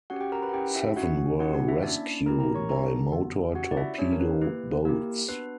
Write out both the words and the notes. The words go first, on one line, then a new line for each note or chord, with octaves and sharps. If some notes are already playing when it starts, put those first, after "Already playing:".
Seven were rescued by motor torpedo boats.
C#4 F#4 G4 F#5
G4 G5
A#4 A#5
B4 B5
F#5
C#4 E4 G4 G5
E4 E5
C#4 F#4 F#5
C#4 E4 F#4 G4 F#5
F#4 F#5
E4 E5
A#3 C#4 D4 E4 D5
A#3 E4 G4 A#4 A#5
A#4 A#5
C#5 C#6
B3 D4 G4 A#4 A#5
B3 F#4
C#4 F#4 G4 F#5
D5
E4 E5
B3 C#4 D4 G4 C#5
A#4
B4
A#3 E4 G4 B4
A#3 E4 G4 A#4
B3 D4 F#4 B4